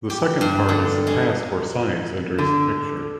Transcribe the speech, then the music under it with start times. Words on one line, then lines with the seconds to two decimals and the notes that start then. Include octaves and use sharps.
The second part is the task where science enters the picture.
0.10 G4
0.41 G2
0.69 D3
1.07 G#3
2.38 D3